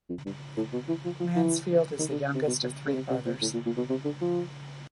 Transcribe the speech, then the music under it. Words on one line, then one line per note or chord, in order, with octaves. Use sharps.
Mansfield is the youngest of three brothers.
F2
G2
A2
B2
E3
F3
F3
E3
D#3
D3
C3
B2
B2
C#3
C3
C3
A#2
A2
A#2
A#2
B2
C3
D3
F3